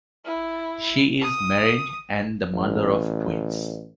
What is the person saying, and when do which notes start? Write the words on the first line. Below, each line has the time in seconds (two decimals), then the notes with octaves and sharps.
She is married and the mother of twins.
0.24 E4
1.21 D#6
2.53 A1